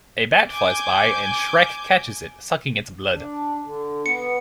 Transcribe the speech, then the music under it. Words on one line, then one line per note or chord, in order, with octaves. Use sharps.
A bat flies by and Schreck catches it, sucking its blood.
G#5 D6 G6
D4
D3
B3 C#7